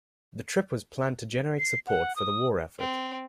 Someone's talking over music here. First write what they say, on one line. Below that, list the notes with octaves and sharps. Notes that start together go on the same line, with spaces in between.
The trip was planned to generate support for the war-effort.
C7
F#5
D#6
C4